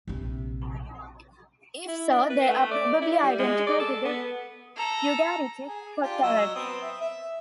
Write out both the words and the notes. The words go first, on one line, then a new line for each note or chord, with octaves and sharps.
If so, they are probably identical to the Ugaritic Kotharat.
A#1 C3
E4
D4
B4
A3
D5
E4
G3
G#3
D5
A4
B3
A4 A#5
G#4
D4 F4 G4
F#3 D#5 E6
B3 C4 D#6
E5
E5